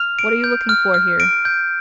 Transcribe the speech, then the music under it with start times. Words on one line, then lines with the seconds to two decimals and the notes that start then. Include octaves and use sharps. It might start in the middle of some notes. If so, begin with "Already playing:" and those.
What are you looking for here?
Already playing: F6 F7
0.19 D7
0.44 G6
0.69 F6
0.94 F6
1.20 D7
1.45 G6